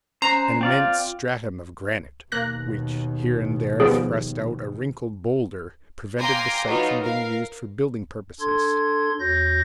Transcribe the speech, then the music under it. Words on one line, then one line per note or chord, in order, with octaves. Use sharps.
An immense stratum of granite, which here and there thrust out a wrinkled boulder, prevented the site from being used for building purposes.
C#4 C5 A#5 C7
C4 F4 D5 F5 G5
D#2 B2 A#3 F#6 A#6
F3 G3 B3 G#4
F5 G5 G#5 A#5 C6 D6
F#3 B3 D#4 F4 F#4
A#4 F5
D4 A4 C6 G#6
E2 F#4 C#5 G6 A#6